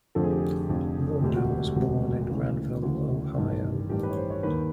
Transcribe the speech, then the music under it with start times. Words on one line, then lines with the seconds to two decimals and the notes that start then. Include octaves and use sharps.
Warner was born in Granville, Ohio.
0.15 F1 F2 D3 F3 A4
0.23 G#4
0.30 G4
0.38 G#4
0.69 F1 F2 D3 F3
1.22 E1 D2 C3 G4
1.36 F#4
1.49 G4
1.63 G4
1.75 E1 D2 C3 F#4
2.29 D2 C#3 E3
2.82 D2 C#3 E3 F#4
3.36 A1 G2 D#3
3.89 A1 G2 D#3 G4
4.03 B4
4.11 C#5
4.17 C5
4.30 C#5
4.43 D#2 D#3 B4